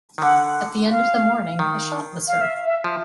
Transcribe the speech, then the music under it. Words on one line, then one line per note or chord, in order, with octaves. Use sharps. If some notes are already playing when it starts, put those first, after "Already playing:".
At the end of the morning, a shot was heard.
D#3
D3 F#5
F5
D#3
F5
E5
E5
F3